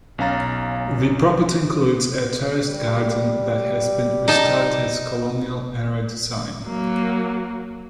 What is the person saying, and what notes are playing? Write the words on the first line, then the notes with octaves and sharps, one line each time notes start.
The property includes a terraced garden that has been restored to its colonial-era design.
B1 C#4 F5 A#5 A6
G3
D#4 A5
F#3 A#3